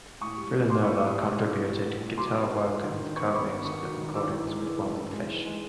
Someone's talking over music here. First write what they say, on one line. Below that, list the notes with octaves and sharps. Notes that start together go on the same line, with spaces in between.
Villanueva contributed guitar work and co-mixed the recordings with Rumblefish.
A2 C#6 D#6
G3
E3
A2 C6 D6
E3 B5 C#6
D6 E6
G3 C#6 D#6
G3
E3
G3
G3
A2
A2
F#3 C6 D6
B3
B3
F#3
D#3
D#3
B3 C#6
D6
B3 B5 C#6
B3
D#3 C#6 D#6
F#3
D#3
E3 D6 E6
E3
G#3
E3
G#3
E3
G#3
E3
G#3